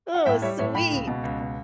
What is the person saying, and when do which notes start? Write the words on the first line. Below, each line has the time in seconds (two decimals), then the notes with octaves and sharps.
Oh, sweet.
0.14 F#5
0.26 A2 E5 G5
0.42 G3 C#5 E5
0.59 A2 C#5 E5
0.75 A2 G5 B5
0.92 C#2
1.07 B2
1.23 C#2
1.40 B2